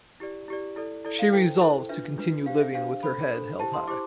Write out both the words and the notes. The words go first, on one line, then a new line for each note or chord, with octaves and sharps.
She resolves to continue living with her head held high.
E4 G4 D5
E4 G4 D5
E4 A4 D5
E4 A4 D5
F5
E4 A4 C5 G5
E4 A4 C5
D4 F4 B4 E5
D4 F4 B4
D4 G4 C5 F5
E5
D4 G4 C5 F5
D4 A4 C5 B5
D4 A4 C5
E4 G4 C5 A5
C6
E4 G4 C5 D6